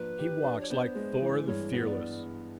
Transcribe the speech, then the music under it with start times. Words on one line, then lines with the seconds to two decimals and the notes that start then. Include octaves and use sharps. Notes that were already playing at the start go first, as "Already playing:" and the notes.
"He walks like Thor the Fearless."
Already playing: F3 A#3 D4 B4
0.19 G4
0.44 D4
0.60 C#5
0.70 B3 C5
0.95 G#3
1.22 E3
1.47 G2 C#5
1.73 B3
1.80 C#5
1.86 D5